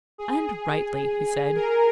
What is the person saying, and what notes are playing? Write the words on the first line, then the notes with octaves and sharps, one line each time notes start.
"And rightly," he said.
G#4
A#4